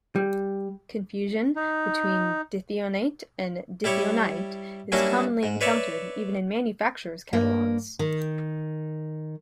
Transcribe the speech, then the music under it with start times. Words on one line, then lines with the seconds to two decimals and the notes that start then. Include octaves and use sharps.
Confusion between dithionate and dithionite is commonly encountered, even in manufacturers' catalogues.
0.16 G3
1.56 D#4
3.84 G3 E4 G4 C#5
4.92 F#3 G3 A#3 C#4 D4 E4
5.43 G#2
5.61 B4 C#5 D5 E5
7.33 G2 A#3
7.99 D#3